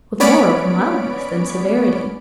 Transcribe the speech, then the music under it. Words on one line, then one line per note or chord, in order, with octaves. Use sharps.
"With more of mildness than severity."
B3 C#4 C#5 D5 B5 D7